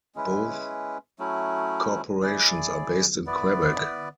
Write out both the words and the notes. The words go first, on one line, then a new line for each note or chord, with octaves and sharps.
Both corporations are based in Quebec.
G#3 C#4 E4 B4
F#3 A3 C#4 E4
E4 G#4 D5
B3 E4 B4 D5